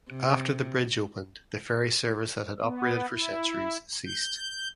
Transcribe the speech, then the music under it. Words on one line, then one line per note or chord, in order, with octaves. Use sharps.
After the bridge opened the ferry service that had operated for centuries ceased.
C3
B3
E4
G6